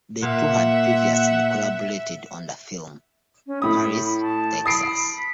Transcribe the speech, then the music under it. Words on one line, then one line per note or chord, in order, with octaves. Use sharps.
The two had previously collaborated on the film "Paris, Texas".
A#2 A#3 E5 F#5
C#4
A2 B5 D#6
A5
B5 D#6 C7 D7
B6